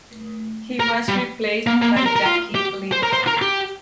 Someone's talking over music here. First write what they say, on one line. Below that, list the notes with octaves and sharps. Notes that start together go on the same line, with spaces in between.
He was replaced by Jackie Lynton.
A#4
G3
A#3
A#3
C4
A#4
A#4
F4
G4
C5
A#4
C5
A#4
G4